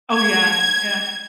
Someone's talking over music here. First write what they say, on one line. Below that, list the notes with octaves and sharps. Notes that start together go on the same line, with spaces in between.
Oh yeah, yeah.
G#6